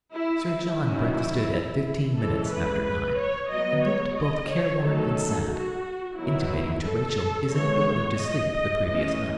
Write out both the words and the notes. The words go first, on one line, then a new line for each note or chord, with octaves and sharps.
Sir John breakfasted at fifteen minutes after nine, and looked both careworn and sad, intimating to Rachel his inability to sleep the previous night.
E4
E4
D#3 F#3 C#4
E3 G#3 C#4 A4
B4
B4
C#5
F#3 B3 D#5
C#5
D#5
C#5
D#3 F#3 A3 C#4 A4
F#4
D#3 F#3 B3 E4
A4
E3 G#3 B3 C#5
D#5
D#5
E3 A3 C#4 D#5